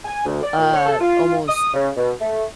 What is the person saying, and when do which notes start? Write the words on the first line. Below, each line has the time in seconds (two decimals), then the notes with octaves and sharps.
uh, almost,
0.05 G#5
0.26 D2
0.43 D5
0.58 A#2
0.74 C#5
0.86 A4
1.01 F4
1.47 D#6
1.74 C#3
1.97 B2
2.21 A3